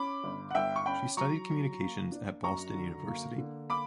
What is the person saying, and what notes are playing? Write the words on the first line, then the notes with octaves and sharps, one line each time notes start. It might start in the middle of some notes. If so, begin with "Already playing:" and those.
She studied communications at Boston University.
Already playing: C#4 B5 D6
G1
F#5
G1 E5 G5
C#6
C#4 G5 B5
F#3 A#5 C#6
F#3
A#3
D4
F#2 A#5 C#6
D3
A#3
D3
A#3 B5 D6